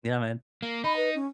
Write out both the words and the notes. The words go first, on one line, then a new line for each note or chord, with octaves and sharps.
Yeah man.
A#3
D#4 B5
B4
C#4